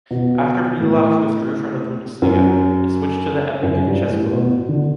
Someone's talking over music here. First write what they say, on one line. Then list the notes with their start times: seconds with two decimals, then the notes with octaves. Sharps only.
After Bindlach withdrew from the Bundesliga, it switched to the Eppingen Chess Club.
0.11 B2
0.81 A2
2.22 F#2
3.63 F#2
3.87 G2
4.10 A2
4.33 B2
4.69 D3